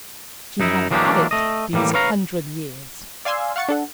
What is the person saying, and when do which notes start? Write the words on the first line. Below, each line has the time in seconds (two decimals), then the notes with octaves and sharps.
She had had it these hundred years.
0.60 F#2 D#4 E4
0.91 E3 F#3 G#3 A#3 D4 G4
1.31 A3 D#5
1.73 A2 E3 G3 A#3
1.94 B4 C#5 F5 A#5
3.25 D5 F5 G#5 C6 E6 G#6
3.56 F5 F#5 C#6 A6 C#7
3.68 D4 A4 F#5